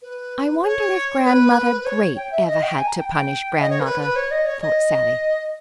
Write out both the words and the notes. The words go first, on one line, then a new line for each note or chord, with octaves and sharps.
"I wonder if Grandmother Great ever had to punish grandmother," thought Sallie.
B4
C#5
B4
B4
C#5
G5
E5
D#5
G5
G#5
A#5
G5
G5
D#5
C#5
A#4
B4
B4
C#5
D#5
C#5
D#5